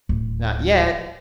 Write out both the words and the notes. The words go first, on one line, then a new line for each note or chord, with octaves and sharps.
"Not yet."
D1